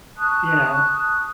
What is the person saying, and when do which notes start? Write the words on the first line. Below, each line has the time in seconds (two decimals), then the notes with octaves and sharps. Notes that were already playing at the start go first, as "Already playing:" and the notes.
you know.
0.18 A5 C#6 D#6 F#6